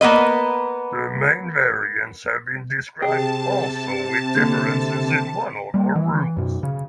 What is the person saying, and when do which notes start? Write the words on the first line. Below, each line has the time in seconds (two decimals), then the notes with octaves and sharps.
The main variants have been described also with differences in one or more rules.
0.01 A#3 B3 B4 D#5
3.02 C3 G#4 G5 A5
4.35 D2 D3 A#3
5.74 G3 A#3
5.95 E3
6.37 F#2 B2
6.63 C#3